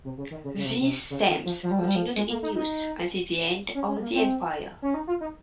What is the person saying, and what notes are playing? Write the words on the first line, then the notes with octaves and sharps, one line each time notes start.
These stamps continued in use until the end of the empire.
C3
C#3
D#3
C#3
C#3
C3
C3
C#3
D#3
F3
F3
G3
F3
G3
F3
G#3
A#3
D#4
D#4
C#4
C#4
A#3
C4
C#4
D#4
F4
D#4